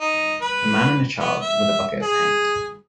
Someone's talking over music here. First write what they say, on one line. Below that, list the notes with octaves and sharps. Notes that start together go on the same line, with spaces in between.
A man and a child with a bucket of paint.
D#4
B4
B3
E5
G#4